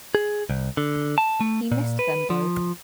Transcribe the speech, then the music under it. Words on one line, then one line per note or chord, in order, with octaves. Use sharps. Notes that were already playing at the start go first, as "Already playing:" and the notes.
He missed them both.
G#4
C2
D3
A5
A3
A#2
B4
F3